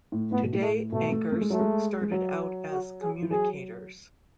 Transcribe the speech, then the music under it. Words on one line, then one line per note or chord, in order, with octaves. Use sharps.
"Today" anchors started out as "Communicators".
A2
A2 B3
B2
A2
A3
B2 A3
A3
A3
G#3
F#3 A3
G#3
G#3
F#3
F#4
G#4
E3
F#3 G#4